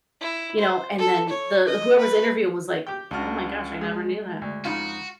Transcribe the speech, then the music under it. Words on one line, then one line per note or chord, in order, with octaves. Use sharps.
you know, and then the whoever's interviewing was like, "Oh my gosh, I never knew that."
E4
C5
A4
C#5
D#5
B4
G4 G5
C#2 D4 F#4 A5 F6
G#3 G#4
D2
F2 C#3 D#4 F4 F#4